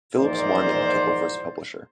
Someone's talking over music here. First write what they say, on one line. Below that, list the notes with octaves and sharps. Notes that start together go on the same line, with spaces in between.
Phillips Wyman took over as publisher.
A#1 E2 G#2 C5 D5 A#5